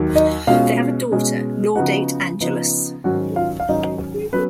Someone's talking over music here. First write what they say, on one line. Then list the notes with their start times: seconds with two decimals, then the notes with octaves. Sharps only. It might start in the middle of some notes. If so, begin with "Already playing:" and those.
They have a daughter, Laudate Angelus.
Already playing: D#2 D#3 F#3
0.15 D#4 D#5
0.47 B2 G#3 C#4 F4 F5
1.12 B2 G#3 C#4
1.75 C#3 F3 B3 D#4 F#4 F#5
2.41 C#3 F3 B3 D#4
3.04 G#2 D#3 F#3 C#4 F#4 F#5
3.36 F4 F5
3.60 F5
3.69 G#2 D#3 F#3 C#4 D#4 D#5
4.33 F#3 B3 C#4 B4